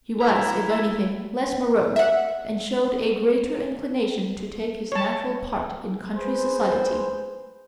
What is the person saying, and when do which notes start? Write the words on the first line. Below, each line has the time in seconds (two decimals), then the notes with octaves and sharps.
He was, if anything, less morose, and showed a greater inclination to take his natural part in country society.
0.20 E4 A#5
1.96 E5 F#5
4.92 C#5 A5
6.15 G#4 B4 C5